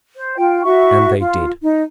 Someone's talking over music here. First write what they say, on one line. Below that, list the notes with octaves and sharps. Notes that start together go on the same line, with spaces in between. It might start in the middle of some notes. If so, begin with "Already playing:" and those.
And they did.
C5
F4 G5
E4 F#4 E5 C#6
F4
D#4